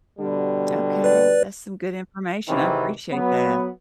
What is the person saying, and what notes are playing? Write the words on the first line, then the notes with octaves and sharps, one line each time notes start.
Okay, that's some good information, I appreciate that.
B2 D3 G3
B4 D5
G#1 C3 D#3 E3 C4
F#3 B3